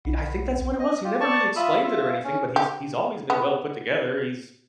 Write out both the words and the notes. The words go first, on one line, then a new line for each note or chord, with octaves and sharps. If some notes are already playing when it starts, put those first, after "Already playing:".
I think that's what it was, he never really explained it or anything, but he's he's always been well put together. He's
B1
D#5
F4 G4
D5 A5 C#6
F4 E5 B5 D#6
F4 E5
C#4
G4
B3